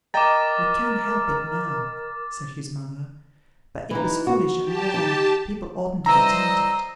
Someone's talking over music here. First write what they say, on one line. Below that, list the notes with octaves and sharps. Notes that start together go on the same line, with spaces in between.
'We can't help it now,' said his mother; 'but it was foolish and wrong. People oughtn't to be tempted.'
A#4 D#5 G5 A#5 D6 A6
E3 D#4
F#4
G4 A5
D#4
E3 G3 C5 D#5 A#5 E6